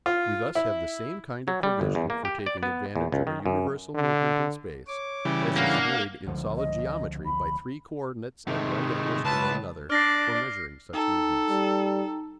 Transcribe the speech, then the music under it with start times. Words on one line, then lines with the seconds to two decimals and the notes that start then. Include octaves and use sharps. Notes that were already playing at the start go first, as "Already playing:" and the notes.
We thus have the same kind of provision for taking advantage of a universal movement in space as is made in solid geometry by three co-ordinates at right angles to one another for measuring such movements.
0.06 F4
0.55 E4
1.48 F#3
1.63 G3
1.81 G1
1.95 E2
2.10 A#3
2.25 G4
2.46 D5
2.63 B3
2.96 E2
3.12 C#2
3.27 D#3
3.46 F#2
3.95 D3
4.87 C#5 D6
5.25 C#3 E3 G3
5.57 A#3 D4 F5 F#5
6.26 C#2 D3 F3
6.56 D#5
7.26 B5
8.48 C3 D#3 G#3 A3
9.25 C#2 B4 A5
9.90 D4 D5 F6 A#6 C7
10.93 D#4 A4 G5 A#5
11.49 G3